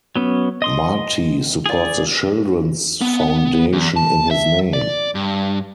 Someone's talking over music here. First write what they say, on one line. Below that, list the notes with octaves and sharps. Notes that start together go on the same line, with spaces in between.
Marte supports a children's foundation in his name.
F#3 B3 C#4
D#5 C6 D#6
G#4 D5
B3
E2
A5
E5
D5
G2